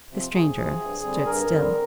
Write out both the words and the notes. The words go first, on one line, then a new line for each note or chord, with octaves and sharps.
The stranger stood still.
C3 F3 C4
D2 G#4
C3 F3 C4
G2
D3 G3 C4
G2 A#4
D3 G3 C4